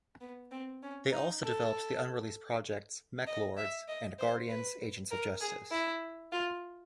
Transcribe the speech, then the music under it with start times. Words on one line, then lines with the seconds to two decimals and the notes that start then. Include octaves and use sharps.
They also developed the unreleased projects Mech Lords and Guardians: Agents of Justice.
0.21 B3
0.52 C4
0.83 C#4
1.12 D#4
1.44 A4
3.27 D#5
3.57 E5
3.88 D#5
4.19 C5
4.49 B4
5.11 A#4
5.41 G#4
5.71 E4
6.32 F4